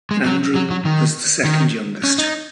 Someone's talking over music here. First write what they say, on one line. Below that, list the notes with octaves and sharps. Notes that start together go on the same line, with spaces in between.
Andrew was the second youngest.
G#3
F#3
F#3
F#3
D#3
D#3
C#4
D#4